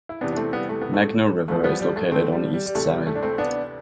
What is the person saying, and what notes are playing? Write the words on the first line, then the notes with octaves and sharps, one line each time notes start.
Meghna River is located on East side.
E4
E2 C3 E3 B3 D4
D4
A3 C4
G3 B3
A3
B3
A3
D2 D3 F3 A3
G3 B3
G3
A3
A3 C4
G3
G3
G3
D2 C3 E3 A3
G3
A3
D4
A3 C4
B3 D4